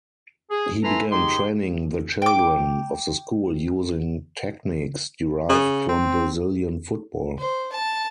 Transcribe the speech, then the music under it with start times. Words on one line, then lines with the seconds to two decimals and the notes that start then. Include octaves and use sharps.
He began training the children of the school using techniques derived from Brazilian football.
0.51 G#4
0.83 E4 A4 B4 G#5 A#5 C6
1.11 D#4 G4 G#4 C6
2.22 G5 D6
5.49 C#3
5.89 C4
7.39 C5
7.72 A5